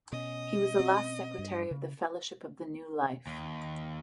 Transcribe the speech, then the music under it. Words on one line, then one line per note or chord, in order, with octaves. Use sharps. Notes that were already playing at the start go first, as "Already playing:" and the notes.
He was the last secretary of the Fellowship of the New Life.
B2 C#4 D#5
C4
G2
C#3
D#2